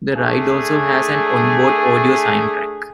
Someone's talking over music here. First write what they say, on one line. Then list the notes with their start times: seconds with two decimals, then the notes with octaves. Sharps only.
The ride also has an on-board audio soundtrack.
0.13 A3 D4 G#4